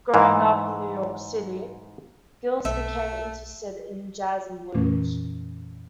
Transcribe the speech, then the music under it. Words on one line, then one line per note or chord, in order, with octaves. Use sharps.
Growing up in New York City, Geils became interested in jazz and blues.
G#2 E3
B1 A3 E5
F2 A#2 E3 A3 C#4